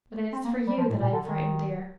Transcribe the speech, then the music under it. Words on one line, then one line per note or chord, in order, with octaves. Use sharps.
But it is for you that I am frightened, dear.
C4
A#3
G3
F3
A2
A#2
D3
D#3